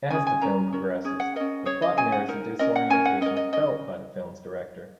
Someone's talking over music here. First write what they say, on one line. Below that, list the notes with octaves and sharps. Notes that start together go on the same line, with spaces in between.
As the film progresses, the plot mirrors the disorientation felt by the film's director.
C#4 G#4 G#5
G#5
C#4 A#4 A#5
C#4 F#4 A#4
C#4 G#4
F#5
C#4 A#4 D#5
C#4 G#4 C#5
D#5
C#4 G#4 G#5
F#5
D#4 A#4
C#4 A#4 D#5
F#5
C#4 A#4 G#5
F#5
C#4 A#4 D#5
D#5
C#4 A#4 D#5